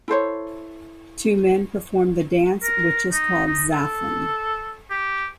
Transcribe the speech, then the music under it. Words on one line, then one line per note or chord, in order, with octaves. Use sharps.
Two men perform the dance, which is called "Zaffan".
E4 A4 C5 C#5
A#4
D#4
D#4
A4
G4